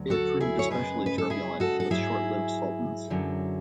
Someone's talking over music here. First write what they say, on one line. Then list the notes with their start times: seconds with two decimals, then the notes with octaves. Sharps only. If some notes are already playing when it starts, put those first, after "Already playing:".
It proved especially turbulent, with short-lived sultans.
Already playing: D2 F#3
0.10 F#4 A4
0.40 E4 G#4
0.59 C#5
0.70 F#2 C#3 G#3 G#4 B4
1.06 B4
1.18 A4
1.30 E4 G#4
1.60 F#4 A4
1.80 A4
1.90 G#2 F#3 E4 G#4
3.10 F#2 D3 F#3